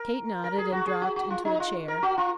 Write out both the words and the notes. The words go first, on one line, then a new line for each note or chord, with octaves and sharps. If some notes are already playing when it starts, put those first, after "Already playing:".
Kate nodded and dropped into a chair.
Already playing: A#4
A#4
G#4
F#4
G#4
F#4
F#4
F4
D#4
F4
A#4
F#4
F4